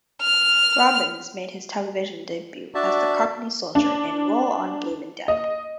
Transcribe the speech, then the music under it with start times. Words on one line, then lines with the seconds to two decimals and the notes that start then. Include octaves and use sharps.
Robbins made his television debut as the cockney soldier in "Roll-on Bloomin' Death".
0.22 F6
2.75 D4 F#4 D5 E5 A5
3.75 D4
5.28 D#5